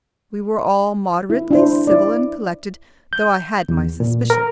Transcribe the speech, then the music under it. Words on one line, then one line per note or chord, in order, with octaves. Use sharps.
We were all moderately civil and collected, though I had my suspicions.
E4
D4 E4 C5
E4 D5
G6
E2
A#2
A#4